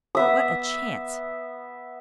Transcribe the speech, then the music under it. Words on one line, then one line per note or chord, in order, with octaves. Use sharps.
What a chance!
B3 E5 D#6